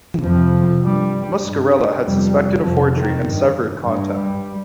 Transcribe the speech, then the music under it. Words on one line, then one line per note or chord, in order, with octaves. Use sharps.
Muscarella had suspected a forgery and severed contact.
F2 C3 F3
G2 G3
G2
F2 C3 G3
F2 C3 F3
D#3
G2
G2
G3